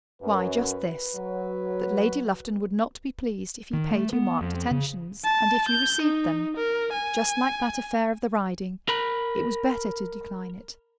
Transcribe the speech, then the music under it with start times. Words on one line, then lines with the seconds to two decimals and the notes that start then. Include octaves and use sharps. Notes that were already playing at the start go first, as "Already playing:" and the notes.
"Why, just this: that Lady Lufton would not be pleased if he paid you marked attentions, and if you received them;--just like that affair of the riding; it was better to decline it."
0.22 F#2 B4
1.14 F#3
3.73 D#3
3.91 A3
4.13 B3
4.41 F2
4.71 C#3
5.25 A5
5.68 G6
6.02 D#4
6.57 A#4
6.93 G#5
8.89 A#4 B5